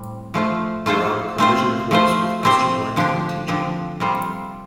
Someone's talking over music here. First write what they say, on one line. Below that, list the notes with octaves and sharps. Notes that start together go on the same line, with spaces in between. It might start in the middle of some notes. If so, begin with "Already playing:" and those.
They are on collision course with Christian life and teaching.
Already playing: A2 G3 C4
F3 A3 F4 C5
A3 F4 A4 C5
A3 C4 F4 C5
F3 A3 F4 C5
A3 C4 G4 C5
D3 F3 D4 G4
D3 F3 C4 G4
C3 G3 F4 A4 C5